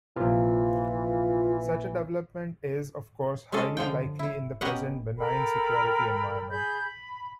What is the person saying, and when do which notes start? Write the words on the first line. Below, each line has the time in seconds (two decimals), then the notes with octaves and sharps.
Such a development is, of course, highly unlikely in the present benign security environment.
0.16 A#1 C3 E3 F4
3.52 G#3 C#4 G#4 A4 D#5
3.77 D3 F3 G5
4.19 E4
4.61 B3 C#4 G4 A#4 D#5 F#5
5.18 A4 A#4 G5 B5
6.50 G#4 B5 G6
6.81 B5